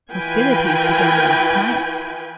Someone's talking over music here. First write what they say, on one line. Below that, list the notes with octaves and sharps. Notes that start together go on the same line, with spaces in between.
"Hostilities began last night."
E3 F4 B4 G5 G#5